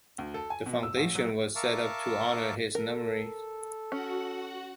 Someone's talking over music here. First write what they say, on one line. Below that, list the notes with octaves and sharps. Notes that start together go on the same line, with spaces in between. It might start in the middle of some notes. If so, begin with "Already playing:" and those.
The foundation was set up to honor his memory.
D2
A4
G#5
B2
E6
A1
F#3
A#4 E5 F5 A5 C#6 D6
A4 A#4
C#4 F#4 F#5